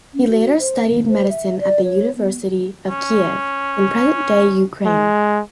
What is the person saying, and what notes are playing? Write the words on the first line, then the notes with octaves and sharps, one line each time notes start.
He later studied medicine at the University of Kiev, in present-day Ukraine.
C#4
F#4
C5
A#3
C5
E5
D5
C#5
B3
C#4
G#3